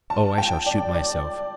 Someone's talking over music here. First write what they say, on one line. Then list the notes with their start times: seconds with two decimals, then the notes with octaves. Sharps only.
Oh, I shall shoot myself!
0.10 A5
0.38 G5
0.66 D5
0.95 D5